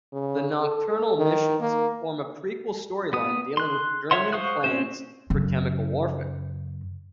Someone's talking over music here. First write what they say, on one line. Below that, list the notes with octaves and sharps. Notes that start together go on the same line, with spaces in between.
"The Nocturnal Missions" form a prequel storyline dealing with German plans for chemical warfare.
C#3
A4
A4
D#3
A#3
B3 D#6
C6 F#6
C#5 E5 F#5 C6
C5 F5 C#6 D#6 F#6
C4 C#4 C5
F#2 C#3